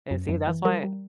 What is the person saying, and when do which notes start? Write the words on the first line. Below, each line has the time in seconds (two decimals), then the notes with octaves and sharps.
and see that's why
0.11 F#2
0.29 F#2
0.47 E3
0.65 G3 A#4
0.83 G3